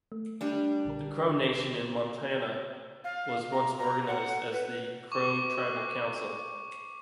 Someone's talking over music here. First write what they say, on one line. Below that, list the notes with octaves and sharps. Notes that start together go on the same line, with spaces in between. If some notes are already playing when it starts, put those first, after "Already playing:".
The Crow Nation in Montana was once organized as the Crow Tribal Council.
A3
G3 D4
A#1 D3 A#4
F5
A#5
A#5
F#5
B4
C#6 D6